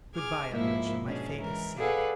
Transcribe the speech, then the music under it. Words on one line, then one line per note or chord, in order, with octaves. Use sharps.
Good-by, Alyosha, my fate is sealed.
G#4 D6 F6 G#6
G#2 F3 G#3 A#3 E4 E5
G#2 B2 C#4 D4 G#4
E3 G#3 A#4
G#4 A4 B4 D5 F5 F#5